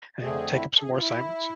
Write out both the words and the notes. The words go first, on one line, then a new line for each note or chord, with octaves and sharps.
and I'll take up some more assignments
F2 D3 A3 C4 G#4
E4
A4
G#4
F4
E4